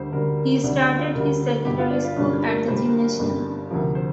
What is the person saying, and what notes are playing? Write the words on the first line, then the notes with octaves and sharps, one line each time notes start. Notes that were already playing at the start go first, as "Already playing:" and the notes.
He started his secondary school at the gymnasium.
Already playing: D2 D3 G3 C5
D2 D3 G3 A#4
A#4
D2 D3 G3 D4
D4
F4
D2 D3 G3 A#4
A#4
G1 G2 G3 G4
F4
D4
F4
G1 G2 G3 D4
A#4
G1 G2 G3 C5
A#4
A#4
G1 G2 G3
D2 C3 F3 A#4
C5